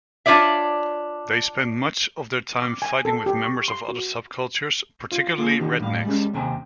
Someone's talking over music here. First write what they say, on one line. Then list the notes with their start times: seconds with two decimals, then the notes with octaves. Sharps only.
They spend much of their time fighting with members of other subcultures, particularly rednecks.
0.26 D4 F4 C#5 D5 E5
2.62 D6
2.82 G#5
3.05 A4
3.26 G4
3.44 C#6
3.68 C6
3.88 F#4
5.12 F4
5.38 A#3 F4 G#4 A4
5.60 D3 D#3 D#4 G4
5.80 A2 G3 F5
6.04 G3 G#3 C#4
6.33 D#2 C3 C4 G5 G#5 A#5